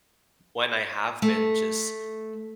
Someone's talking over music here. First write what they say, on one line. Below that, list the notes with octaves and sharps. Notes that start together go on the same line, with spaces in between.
when I have been just
A3